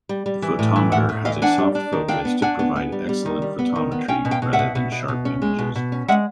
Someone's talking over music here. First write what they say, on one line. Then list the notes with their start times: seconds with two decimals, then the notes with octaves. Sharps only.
The photometer has a soft focus to provide excellent photometry, rather than sharp images.
0.09 G3
0.26 G3
0.42 E3
0.59 A2
0.76 E3
0.92 A2 E5 F#5
1.09 A2
1.25 E3 D#5 F5
1.42 D4 F#5 G#5
1.58 G3
1.75 D4
1.92 D#3
2.08 D4 F5 G5
2.25 B3
2.42 D4 F#5 G#5
2.59 B3
2.76 B3
2.92 G3
3.09 G3
3.26 D#3
3.42 G3
3.59 B3
3.76 D#3
3.91 B3
4.08 C#4 F5 G5
4.25 B2
4.31 F5 G5
4.42 B2
4.53 E5 F#5
4.59 B2
4.75 B2
4.92 B2
5.08 B2
5.25 C#4
5.42 G#3
5.59 B2
5.75 B2
5.92 C#4
6.08 G#3 E5 F#5